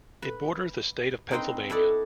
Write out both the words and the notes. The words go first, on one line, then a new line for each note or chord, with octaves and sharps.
It borders the state of Pennsylvania.
B4
C4 D#4 B4 C5 D#5 G5
E4 A4 B4 D5 D#5